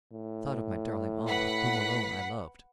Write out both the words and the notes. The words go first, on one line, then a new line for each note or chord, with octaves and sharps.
I thought of my darling Almah, whom alone I loved.
A2
B4 F#5 B6